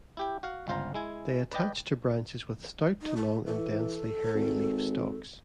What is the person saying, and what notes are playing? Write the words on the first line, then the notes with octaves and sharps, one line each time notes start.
They attach to branches with stout to long and densely hairy leaf stalks.
E4 G4 G5
F#4 F5 F#5
G1 C#2 F4 C5 F5 A#5
G#3 E4 G#5
B4 D5 D#5 G5
D#4
A3
E3 A4
G#1